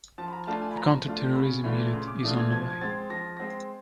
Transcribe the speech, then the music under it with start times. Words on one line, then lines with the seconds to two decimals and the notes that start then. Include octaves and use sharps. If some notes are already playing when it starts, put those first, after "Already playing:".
The counter-terrorism unit is on the way.
0.18 F3 A5
0.28 B5
0.33 A#5
0.47 A3 D4 F4 A5
0.61 G#5
0.71 B5
0.77 F3 A#5
1.05 A3 D4 F4
1.35 C#3 B5
1.64 E3 A3 D4 F4 B5
1.93 C#3 C6
2.08 D6
2.23 E3 A3 D4 F4 D#6
2.38 G#6
2.51 F3 G#6
2.70 G#6
2.81 G#3 C4 A6
3.10 F3 A#6
3.37 G#3 C4 A#6